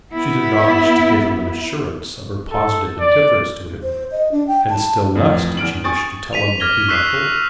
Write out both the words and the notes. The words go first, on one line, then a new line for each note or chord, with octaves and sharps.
She did not wish to give him an assurance of her positive indifference to him--and still less did she wish to tell him that he might hope.
B3 E4
A4
D5
C5
D#5
D4
G5
A5
F2 A2 E3 F3
E2 F6 D7 F#7
G#5 C#6 D#6 A6
B6 D#7 F7
D6 F6 G#6 A#6 G7
C#6 E6 F#6 B6 C7 E7